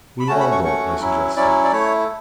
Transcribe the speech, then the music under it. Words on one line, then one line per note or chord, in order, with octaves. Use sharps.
"We'll all go," I suggested.
B5
A3 C#4 F#4 A5
B5
C#6
A3 C#4 F#4 C#6
F#3 C#4 E4
F#3 C#4 E4 D5
D5
A3 E4 C#5